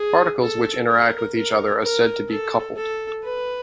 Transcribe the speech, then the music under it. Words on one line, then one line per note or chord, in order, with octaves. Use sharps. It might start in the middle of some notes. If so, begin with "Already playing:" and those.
Particles which interact with each other are said to be coupled.
Already playing: G#4
A4
A#4
A#4
A#4
A4
A4
B4